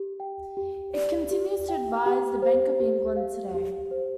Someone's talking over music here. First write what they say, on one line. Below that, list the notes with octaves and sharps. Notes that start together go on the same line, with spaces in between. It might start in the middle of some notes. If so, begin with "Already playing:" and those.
It continues to advise the Bank of England today.
Already playing: G4
G5
G4
D5
G4
G5
G4
C5
G4
F5
G4
C5